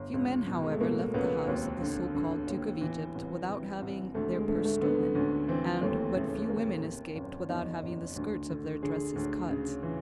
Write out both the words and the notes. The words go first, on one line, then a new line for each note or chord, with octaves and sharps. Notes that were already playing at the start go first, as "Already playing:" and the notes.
Few men, however, left the house of the so-called Duke of Egypt without having their purses stolen, and but few women escaped without having the skirts of their dresses cut.
Already playing: G1
C#2
B2
G#3
A3
B2 A#3
C#2 B3
D#2 C4
D3
D3
D#2
E3 B3
C2
C3
C2
D2 A3
G#3
D3 A3
A3
D3 B3
D2 C#4
E3 C4
D#2 A3
C#3 A3
D#2 A#3
C3
F#1
E2 D#4
F#1
D2
D3
D3 G#4
D2
C#3
E3